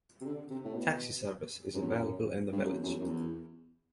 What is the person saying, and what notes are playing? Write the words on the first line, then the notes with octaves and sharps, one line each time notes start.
Taxi service is available in the village.
C3
D3
C3
A2
B2
F#2
E2
F#2
G2
F#2
E2
F#2
E2
F#2
E2